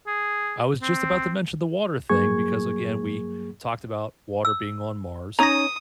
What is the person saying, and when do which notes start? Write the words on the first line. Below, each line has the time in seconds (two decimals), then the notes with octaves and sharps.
I was just about to mention the water thing because, again, we talked about water being on Mars.
0.07 G#4
0.82 C4
2.10 G2 F#3 A#3 G#4 C#6 G#6
4.45 E6
5.39 C#4 D#4 C#5 A#5 D#6 A#6